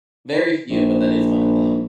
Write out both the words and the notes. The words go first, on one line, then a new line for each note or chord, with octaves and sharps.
Very few, but that is one of them.
A#1